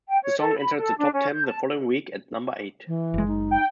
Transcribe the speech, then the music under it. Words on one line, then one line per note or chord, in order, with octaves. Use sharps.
The song entered the top ten the following week at number eight.
G5
C#5
A4
B5
A4
D4
C#4
G6
A5
E3
F#1 G#3
D#4
G5